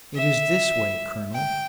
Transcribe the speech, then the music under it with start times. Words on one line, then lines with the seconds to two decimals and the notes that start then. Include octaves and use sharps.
It is this way, colonel.
0.15 E5
1.34 G5